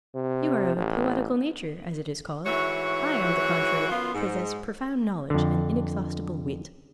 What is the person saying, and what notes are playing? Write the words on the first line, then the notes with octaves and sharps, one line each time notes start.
You are of a poetical nature, as it is called--I, on the contrary, possess profound knowledge and inexhaustible wit.
C3
A1
G#2 E3 A3 F#4 C#5
F#2 B3 F4
G#2
F2 D3